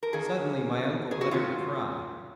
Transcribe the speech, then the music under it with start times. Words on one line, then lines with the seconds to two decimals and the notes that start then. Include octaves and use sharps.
Suddenly my uncle uttered a cry.
0.03 A#4
0.13 F2 D#3 A#3 C#4 G#4
1.11 G#4
1.21 F#4
1.31 D#3 F#3 C#4 F4